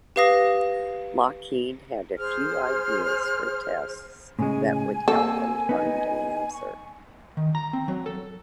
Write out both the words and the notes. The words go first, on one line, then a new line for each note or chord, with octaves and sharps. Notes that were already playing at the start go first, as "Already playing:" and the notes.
Lockheed had a few ideas for tests that would help them find an answer.
G4 B4 F5 D#6 A#6
G#4 C5 F6
A2 C#3 G#3 G#5
A#3 C4 A4
B3 D#4
C#6
D#3
A#5
C4
F#3
A4